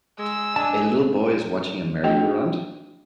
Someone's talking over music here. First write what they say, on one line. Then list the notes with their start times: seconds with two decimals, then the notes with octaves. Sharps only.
A little boy is watching a merrygoround.
0.19 G#3 E6
0.56 D4 D#5 G#5 A5
2.04 A3 D4 F#4 D#5 G5